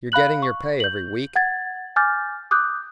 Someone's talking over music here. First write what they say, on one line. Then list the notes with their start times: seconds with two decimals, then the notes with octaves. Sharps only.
You're getting your pay every week.
0.12 F5 B5 F#6 F#7
0.42 C#6
0.80 G6 F#7
1.36 F#5 G#6 A6
1.96 G#5 D6 F6 G6 A6
2.51 D6 D#6 F#6 G6